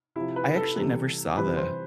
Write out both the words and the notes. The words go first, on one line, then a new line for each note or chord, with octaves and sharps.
I actually never saw the
C3 F3 E4
B4
A4
C3 E3 G3 A4
C3 E3 G3 B4
C5